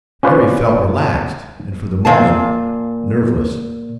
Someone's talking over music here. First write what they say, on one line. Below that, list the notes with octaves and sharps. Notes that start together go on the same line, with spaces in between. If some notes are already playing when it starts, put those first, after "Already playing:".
Harry felt relaxed and for the moment nerveless.
C#4 F4 B4 C5 D5
A#2 F5 A5